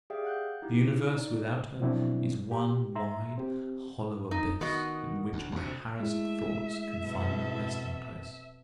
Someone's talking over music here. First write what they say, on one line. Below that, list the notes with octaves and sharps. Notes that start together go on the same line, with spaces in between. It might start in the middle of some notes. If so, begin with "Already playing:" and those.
The universe without her is one wide, hollow abyss, in which my harassed thoughts can find no resting-place.
G4 G#4 D5 E5 F5 G5
F#5 F#6 G6
D#4 E4 G4
D#4 D5
B2 F3 F#3 C4 D4 E4
G4
E5 A#5 C6
C4 G4
D#4
D#3 B3 F#4 D#5
D2
D2 C3
G#3 A3 E4 E5
F2 B2 A4